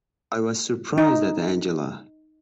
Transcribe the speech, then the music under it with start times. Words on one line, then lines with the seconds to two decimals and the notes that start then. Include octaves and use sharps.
I was surprised at Angela.
0.98 D#4